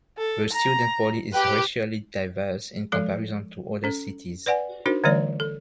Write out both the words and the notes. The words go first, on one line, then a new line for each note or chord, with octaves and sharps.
The student body is racially diverse in comparison to other cities.
A4
A#5
G4 B4 G5
F3 G#3 A4
C#4 A4
B4 D5 F#5 G#5
D4 D#4 F#4 A#4 C5
D3 E3 G3 A3 C#5 D5
A4